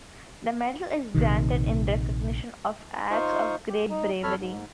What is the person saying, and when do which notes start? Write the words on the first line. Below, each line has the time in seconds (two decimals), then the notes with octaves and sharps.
The medal is granted in recognition of "acts of great bravery".
1.14 A#1 C3 D#3
3.11 D#4 F4 C5 C#6
3.69 G4
3.90 D#4
4.23 F2 A4 C#5 B5 F6
4.40 G#2